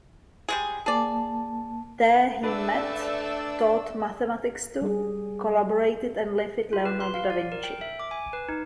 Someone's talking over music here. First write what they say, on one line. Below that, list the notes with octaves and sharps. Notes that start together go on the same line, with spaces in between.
There he met, taught mathematics to, collaborated and lived with Leonardo da Vinci.
G3 G#3 G#4
A#3 G#4 D5 A5
A3 D4 B4 D5 G5 E6
G3 G#4
F4
B4
C6
F5
D5
A#4
G5
E5
D6
G#5
B4
D#4